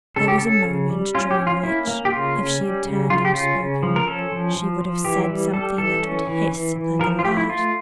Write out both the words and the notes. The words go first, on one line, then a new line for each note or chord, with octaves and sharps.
There was a moment during which, if she had turned and spoken, she would have said something that would hiss like a lash.
C#3 A4
G4
C#4 A4
C#3
G3
C#4 F4
G4
C#4
F4
A#3 E4
A#3
G4
C#3 F4
C#4
G3
C#3
C#3 F4
G4
C#4 F4
C#3
F3
A#4
C#4 A4
F3
F3
F3
E3 G4
G3
G3 A4
E3 A4
C#4
E3
E3
E3
F3 A#4
F4
A3 G4
E4
A3 F4